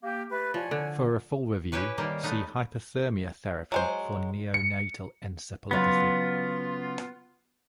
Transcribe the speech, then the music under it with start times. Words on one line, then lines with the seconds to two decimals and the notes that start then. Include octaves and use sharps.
For a full review see Hypothermia therapy for neonatal encephalopathy.
0.03 A#3 G4
0.30 A3 G4 B4
0.54 F3 C#5 D5 G#5
0.71 D3
1.72 C#4 E4 G4 B4 C#5
1.98 D#3 G3 A#3
2.23 A3 B3 D#4
3.72 F#3 G#3 C5
4.54 C#7
5.71 C#3 F#3 B3 F4